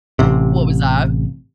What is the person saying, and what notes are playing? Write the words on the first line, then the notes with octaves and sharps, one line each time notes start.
What was that?
A1 C3